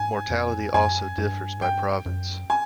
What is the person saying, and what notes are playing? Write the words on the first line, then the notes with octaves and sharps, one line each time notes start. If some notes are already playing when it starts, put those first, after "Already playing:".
Mortality also differs by province.
Already playing: G#2 G#5
F2
F#2 G#5
G2
G#2
G2 G5
F#2
G#5